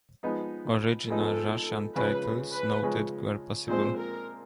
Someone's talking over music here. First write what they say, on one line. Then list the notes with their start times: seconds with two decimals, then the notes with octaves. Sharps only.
Original Russian titles noted where possible.
0.23 F3 G#3 B3 D#4
1.09 F3 G#3 B3 D#4 A4
1.95 C#3 F3 G#3 C#4 B4
2.53 B4
2.82 C#3 F3 G#3 C#4
3.68 A#2 F3 G#3 C4 C5
3.98 A#4